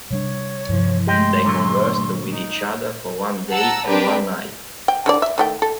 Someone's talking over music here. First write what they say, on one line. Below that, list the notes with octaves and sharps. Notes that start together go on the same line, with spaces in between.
They conversed with each other for one day and one night.
C3 G3 D4 C#5
G2 C3 E3 F3
G#3 A3 G4 D#5 G5 C6
A#2 D3 F#3
D#4
F#5 A5 A#5 E6
C4 D4 G4 A#4 B4
G5
D3 A4 D5
E5
D#3 A3 G5
A4